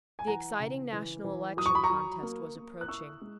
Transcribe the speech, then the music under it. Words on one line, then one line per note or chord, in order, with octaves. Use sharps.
The exciting national election contest was approaching.
G#5
E3 F#5 A#5
C#3
E3
E3
F#3 D#6
C#6
B5
A#5 C#6
F#3
A#3
A#3
F#6
E4 C#6 E6
G#3